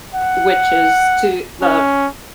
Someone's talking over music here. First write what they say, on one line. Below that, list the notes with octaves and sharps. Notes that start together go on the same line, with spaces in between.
witches to the
F#5
C#4